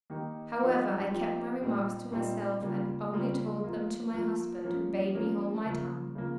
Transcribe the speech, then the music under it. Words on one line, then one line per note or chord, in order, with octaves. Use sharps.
However, I kept my remarks to myself, and only told them to my husband, who bade me hold my tongue.
D#3 A#3 D#4 G4
F3 C4 D#4 G4
F3 C4 D#4 G4
A#2 G3 C4 D#4
A#2 G3 C4 D#4
C#3 G3 A#3 F4
C#3 G3 A#3 F4
F3 A#3 F4
F3 A#3 F4
F3 A#3 C#4
F3 A#3 C#4
C#3 F3 A#3
C#3 F3 A#3